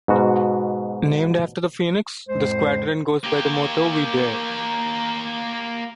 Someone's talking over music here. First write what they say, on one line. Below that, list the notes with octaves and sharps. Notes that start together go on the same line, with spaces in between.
Named after the Phoenix, the squadron goes by the motto "We Dare".
G#2 B2 F#4
F2 A2 G#3 C5
A#3 G4